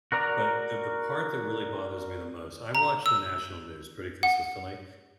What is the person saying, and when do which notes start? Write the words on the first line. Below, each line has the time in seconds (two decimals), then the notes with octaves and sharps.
but the the part that really bothers me the most I watch the national news pretty consistently,
0.12 F#4 A#4 D5 A#5
2.75 A#5
3.06 E6
4.23 F#5